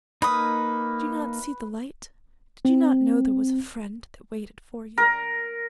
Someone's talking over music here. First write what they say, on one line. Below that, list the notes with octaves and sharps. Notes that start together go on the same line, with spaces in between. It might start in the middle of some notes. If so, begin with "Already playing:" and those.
Did you not see the light, did you not know there was a friend that waited for you?'
A#3 D#4 B4 D#6
C4
A#4